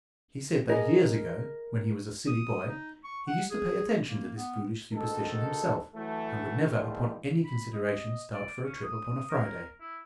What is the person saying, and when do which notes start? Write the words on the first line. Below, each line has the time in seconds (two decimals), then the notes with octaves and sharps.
He said that years ago, when he was a silly boy, he used to pay attention to this foolish superstition himself, and would never upon any consideration start for a trip upon a Friday.
0.70 G4 G#4 A#4 D#5
2.27 D#6
2.68 D#4
3.04 C#6
3.28 F#5
3.51 G#4
4.07 A#3
4.37 B3
4.93 D2 G#2 D#3 A4
5.95 E3 F#3 A3
6.68 E2 D#3 F3 G3 A3
7.45 B5
7.74 D#5
8.33 D5
8.63 C#4
8.83 D#6
9.30 A#4
9.81 E4